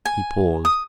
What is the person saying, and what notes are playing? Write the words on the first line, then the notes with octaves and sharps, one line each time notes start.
He paused.
G#5
D#6